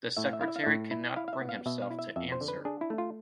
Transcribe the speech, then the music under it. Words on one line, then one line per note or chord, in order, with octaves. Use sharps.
The Secretary cannot bring himself to answer.
A2 E5
F5
E5
E4 F5
E5
F5
A2 E5
E4
E4 F5
F5
E5
B3
F5
B2 E5
F5
E4
E5
F2 E5
C5
D3
B4
D4 G#4
E4
A3
F4